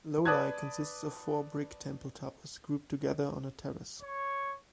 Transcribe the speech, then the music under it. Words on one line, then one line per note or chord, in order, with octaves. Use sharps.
Lolei consists of four brick temple towers grouped together on a terrace.
B4 D5 A5 D#6 F#6 G#6
C#5 C#6